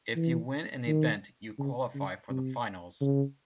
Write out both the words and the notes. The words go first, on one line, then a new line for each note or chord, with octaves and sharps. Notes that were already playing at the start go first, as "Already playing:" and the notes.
If you win an event you qualify for the finals.
E3
D#3
C#3
C#3
C3
C#3